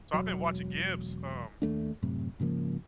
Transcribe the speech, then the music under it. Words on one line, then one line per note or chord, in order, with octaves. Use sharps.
So I've been watching Gibbs, um,
E1 C#2 F#3
D#2 A3 D4
F#2 A2 C3
G#2 C#3 F3 A#3